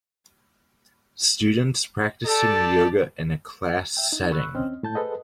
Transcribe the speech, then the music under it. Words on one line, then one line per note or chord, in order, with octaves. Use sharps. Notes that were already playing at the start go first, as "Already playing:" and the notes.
Students practicing yoga in a class setting.
G4 A4 D5 A5
E5 G5
D#4
B5 C#6 E6 F#6
D#2 C4 C#4 D#5 F6
A2 A5 G6
G#4 A4 B4 C5 D#5 F#5